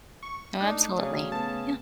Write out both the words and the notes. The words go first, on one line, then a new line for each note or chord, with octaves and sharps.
Oh, absolutely. Yeah.
C#6
A3 D4 D#4
C#3 F#3
B3 A5